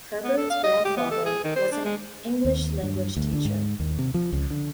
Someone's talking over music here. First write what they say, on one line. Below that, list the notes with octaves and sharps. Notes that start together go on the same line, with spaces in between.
Herbert's grandfather was an English language teacher.
B3
A4
F5
D#5
G4
B3
A4
G#4
D#3
C5
D4
G#3
D#2
G2
D2
D3
G#2
D#2
C3
F3
C#2
D3